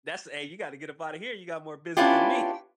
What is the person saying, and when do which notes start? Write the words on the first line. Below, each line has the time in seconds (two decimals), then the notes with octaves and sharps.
that's hey, you gotta get up out of here, you got more business than me.
1.97 B3 C#4 D4 E4 F4 G4